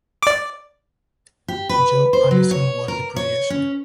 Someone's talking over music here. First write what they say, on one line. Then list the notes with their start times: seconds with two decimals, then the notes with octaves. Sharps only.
Joe Allison was the producer.
0.23 D5 D6
1.48 G4
1.69 B4
2.13 C5
2.31 F#3
2.51 C#5
2.88 A#4
3.16 C#5
3.50 C#4